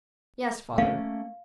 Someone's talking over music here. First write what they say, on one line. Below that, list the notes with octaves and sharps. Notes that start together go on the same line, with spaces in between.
"Yes, father."
A3 A#3 C#4 F5